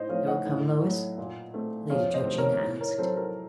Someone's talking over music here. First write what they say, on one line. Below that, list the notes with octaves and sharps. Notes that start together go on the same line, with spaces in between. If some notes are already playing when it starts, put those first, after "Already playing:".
'You will come, Lois?' Lady Georgina asked.
Already playing: A2 C5 D#5
F3 A3 C4 C#5 F5
D#5 F#5
A2
F#3 A3
A#2
A3 C4
F2 C#5 F5
C5 D#5
C3 D#3 A3 C4
A#4 C#5
A2
A#4 C#5
F#3 C4 A4 C5
F#4 A#4